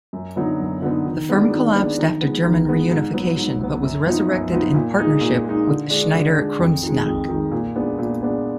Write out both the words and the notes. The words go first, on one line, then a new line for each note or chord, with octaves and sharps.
The firm collapsed after German reunification but was resurrected in partnership with Schneider Kreuznach.
F#2
D3 F#3 B3 D#4
F#2
D3 F#3 B3 D#4
D#3
G#3 B3 D4
D#3
G#3 B3 D4
D#3
G#3 B3
D#3
G#3 B3
G#2
F#3 B3
G#2
F#3 B3
F#2
F3 B3 D#4
F#2
F3 B3 D#4
A#2
G#3 D#4
A#2
G#3 D#4
D3
G#3 D4
D3
G#3 D4
F2
D#3 G#3
F2
D#3 G#3
A#2
G#3 B3 D4
A#2
G#3 B3 D4